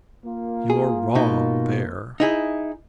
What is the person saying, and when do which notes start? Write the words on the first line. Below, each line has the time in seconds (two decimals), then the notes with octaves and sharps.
"You are wrong there."
0.25 A#3 F4
0.70 G#4
1.15 B2 D#4
2.20 D#4 E4 G#4